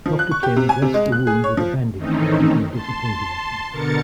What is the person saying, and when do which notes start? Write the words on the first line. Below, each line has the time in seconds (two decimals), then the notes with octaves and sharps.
Doctor Kim dressed the wound with a bandage while looking disappointed at me.
0.06 F3
0.19 F#6
0.31 C#6
0.43 G4
0.56 C3
0.69 G#5
0.82 C3
0.94 G#3
1.12 F#6
1.27 G#4
1.44 C#5
1.57 F3
1.96 D#3 E3 A3 C4 C#4 D#4
2.69 A5 C6
3.70 B2 D3 A#4 A6 C#7